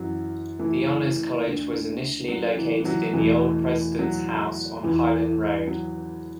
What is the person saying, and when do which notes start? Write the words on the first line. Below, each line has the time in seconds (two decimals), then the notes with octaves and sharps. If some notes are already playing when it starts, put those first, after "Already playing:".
The Honors College was initially located in the Old President's House on Highland Road.
Already playing: F#2 E3 F#3
0.59 E3 A3
1.45 D2 D3
2.28 F#3
2.57 E3
2.80 E3
2.85 F#3
3.13 E2 B2 E3 A3
3.99 F#3
4.83 E2 E3
5.68 F#3